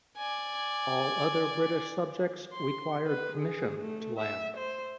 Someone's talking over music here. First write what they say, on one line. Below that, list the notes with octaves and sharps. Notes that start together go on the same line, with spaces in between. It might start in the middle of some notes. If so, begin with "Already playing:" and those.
All other British subjects required permission to land.
D5 G#5
C6
B4
G#4
A3
E5
C5